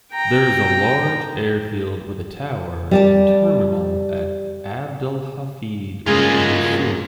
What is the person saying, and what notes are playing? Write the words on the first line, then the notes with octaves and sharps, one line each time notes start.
There is a large airfield with a tower and terminal at Abdelhafid Boussouf.
G5 A#5
G3 D5 A5
G2 C#3 G#3 A#3 F4 D#5 G#5